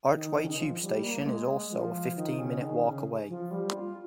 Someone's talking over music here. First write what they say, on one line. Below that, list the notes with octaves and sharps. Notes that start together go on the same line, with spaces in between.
Archway tube station is also a fifteen-minute walk away.
D#3
D#3
C#3
D#3
F3
G3
A#3
A#3
G#3
F3
D#3
C#3
D#3
C#3
F3
G3
F4